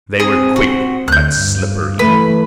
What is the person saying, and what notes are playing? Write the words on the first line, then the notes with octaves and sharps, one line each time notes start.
They were quick, but slippery.
C4 G#4
F#4
D2 F#6 G6
G2
E3 A3 B4